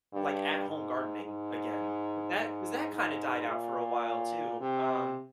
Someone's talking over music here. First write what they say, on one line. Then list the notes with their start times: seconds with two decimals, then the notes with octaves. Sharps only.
like at home gardening again, 'cause that 'cause that kinda died out for a while too, um
0.13 G2
0.69 G#2
1.25 G#2
2.37 G#2
2.93 G#2
3.49 A#2
4.60 C3